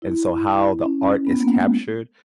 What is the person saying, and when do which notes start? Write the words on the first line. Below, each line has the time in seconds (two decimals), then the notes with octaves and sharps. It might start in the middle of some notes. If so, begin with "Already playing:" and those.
and so how the art is captured,
0.02 E4
0.85 C#4
1.27 B3
1.40 A#3
1.55 G#3